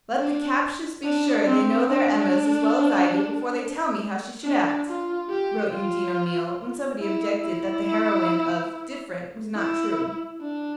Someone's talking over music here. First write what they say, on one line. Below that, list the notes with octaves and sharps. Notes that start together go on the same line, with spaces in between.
"Let the captious be sure they know their Emmas as well as I do before they tell me how she would act," wrote Eugene O'Neill when somebody objected that the heroine of "Diff'rent" was not true.
D4
D4
C4
D4
D4
F4
G4
F4
E4
E4
E4
D4